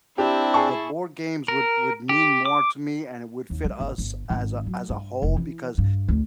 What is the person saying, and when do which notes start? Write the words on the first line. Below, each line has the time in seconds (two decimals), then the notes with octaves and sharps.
the board games would would mean more to me, and it would fit us as a as a whole because
0.18 C4 D4 E4 G4
0.54 G#4 A5 C#6
1.48 A#4
2.09 G4
2.45 D6
3.50 D#2
3.64 G3
3.80 G1
3.98 G1
4.30 G#1
4.66 F#3
4.89 G2
5.22 F1
5.37 E3
5.78 G2
6.08 D2